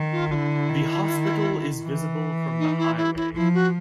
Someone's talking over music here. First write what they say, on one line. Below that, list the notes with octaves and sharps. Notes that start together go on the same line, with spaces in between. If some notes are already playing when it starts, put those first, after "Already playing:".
The hospital is visible from the highway.
Already playing: D#3
F4
D3 E4 F4
D#3
E3
D#4
E4
E4
E4
F3 E4
F#4